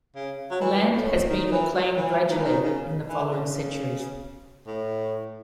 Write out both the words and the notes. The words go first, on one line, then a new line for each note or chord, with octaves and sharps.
The land has been reclaimed gradually in the following centuries.
C#3
F#3
E3
A2
D#3
D#3
E3
F#3
E3
D#3
E3
D#3
C#3
E3
C#3
A2